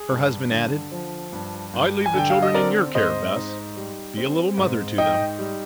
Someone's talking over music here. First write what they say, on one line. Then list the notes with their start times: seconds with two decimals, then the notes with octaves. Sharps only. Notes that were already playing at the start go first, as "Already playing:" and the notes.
Her husband added: "I leave the children in your care, Bess; be a little mother to them."
Already playing: G#4
0.11 G2
0.51 D3
0.92 F3
1.32 G2
1.73 G2
2.06 G#5
2.14 D3 G5
2.30 F5
2.42 D#5
2.54 C4 A#4 D5
2.95 G#2 C5 D#5
3.36 D#4
3.77 G3
4.17 C4
4.58 G#2
4.98 D#4 D#5 G5
5.39 G3